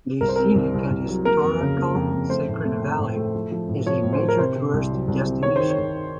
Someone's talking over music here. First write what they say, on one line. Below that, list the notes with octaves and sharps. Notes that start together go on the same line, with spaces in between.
The scenic and historical Sacred Valley is a major tourist destination.
C2 A#4
C5
C4 A#4
C2
C2
C2
F#3
A#3 A#4
F2
C#3
A#3
F2
F2
A3 C5
A2
A3
C4
A2
A3
F3
F3
A2
F3 C#5
A2
C5
F3
A#4
C3 C5
C3
C2
F#3
C2
C3
D#3 C#5
D#3 C5
C#5
D#3